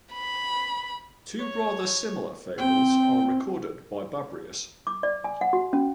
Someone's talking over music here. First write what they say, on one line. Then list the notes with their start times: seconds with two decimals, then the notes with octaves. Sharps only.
Two rather similar fables are recorded by Babrius.
0.14 B5
1.39 C#5
2.58 C4 G5
4.87 D6
5.03 D5
5.24 G#5
5.41 F#5
5.53 F#4
5.73 C#4